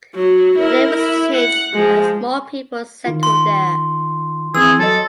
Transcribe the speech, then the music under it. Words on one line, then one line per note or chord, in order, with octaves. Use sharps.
The name was changed as more people settled there.
F#3
E4 A#4
E4
F#5
F3 G#3
D#3 F4
C6
E3 C4 G#4 E6
F#3 A4 D#5